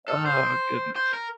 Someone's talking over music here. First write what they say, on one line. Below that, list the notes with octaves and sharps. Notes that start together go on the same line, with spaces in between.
Oh, goodness.
A4
C5
C5
A#4